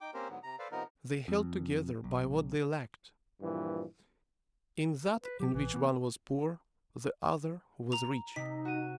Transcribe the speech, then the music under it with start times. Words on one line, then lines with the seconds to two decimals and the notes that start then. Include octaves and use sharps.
They held together by what they lacked: in that in which one was poor, the other was rich.
0.01 D#4 G5 D6
0.14 A#3 C4 C#4 G4 A#4 C5
0.29 G#2 D3 F#3 B3
0.43 C3 A#5
0.59 A4 B4 C5 D5 F5
0.71 C3 F3 B3 D#4 A#4
1.28 F2
2.04 B1
3.41 G2 A#2 E3 F3
5.24 B4
5.40 F#3 G4
5.53 A#1 E3
5.74 B3
7.92 A#5 F7
8.36 C3 D#4 B6
8.65 F#4 D#7